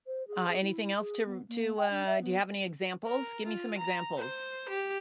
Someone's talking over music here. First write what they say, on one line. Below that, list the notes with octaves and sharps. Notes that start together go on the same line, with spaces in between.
Uh, anything else to r to uh do you have any examples? Gimme some examples.
C5
G#4
G#4
E4
G#4
B3
A#3
G5
D4
E5
B3
A#4
F4
A#5
C5
G4